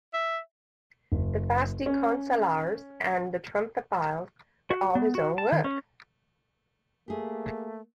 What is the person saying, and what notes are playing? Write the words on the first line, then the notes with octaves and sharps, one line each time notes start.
The "Fasti Consulares" and "Triumphales" were all his own work.
E5
F#1
C#4
F#4
B3
F#4
A5
D#3
C#4
A3 A#3 G4 G#4